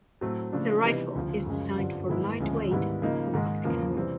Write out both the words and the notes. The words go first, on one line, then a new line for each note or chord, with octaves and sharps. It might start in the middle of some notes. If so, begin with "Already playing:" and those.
The rifle is designed for light weight and compact carry.
A2 F#3 A3 C4
C#3 F3 A3 D4
C3 E3 G3 B3 D#4
D2 C#3 F3
F#2 C#3 F3 G#3 C#4
G2 D3 G3 C4 F4
G#2 D#3 G#3 B3 E4
D2 C#3 F3 G#3 C#4
G#2 D#3 G3 B3 E4
C#3 F3 A#3 D#4
G#2 D#3 G#3
E2 C#3 F3 A#3
C3 E3 G3 C4